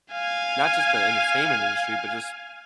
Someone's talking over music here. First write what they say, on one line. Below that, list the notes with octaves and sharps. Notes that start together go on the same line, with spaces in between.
not just the entertainment industry, but just
F5 G#5